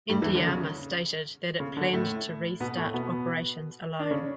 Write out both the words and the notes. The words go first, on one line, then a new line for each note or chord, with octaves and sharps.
Endiama stated that it planned to restart operations alone.
G2 G3
E2 E3
D3
C#3
C#3
D3
A2 A3
B2 B3
A2 A3
B2 B3
D4
C#3 C#4